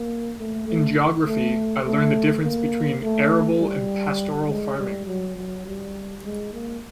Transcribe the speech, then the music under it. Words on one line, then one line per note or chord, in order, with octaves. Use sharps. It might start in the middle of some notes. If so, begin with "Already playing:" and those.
In geography, I learned the difference between arable and pastoral farming.
Already playing: A#3
A3
A3
A3
A3
A#3
A3
G3
G#3
G3
F#3
F#3
G3
G#3
A#3